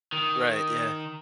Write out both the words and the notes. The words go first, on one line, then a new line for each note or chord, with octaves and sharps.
Right. Yeah.
D#3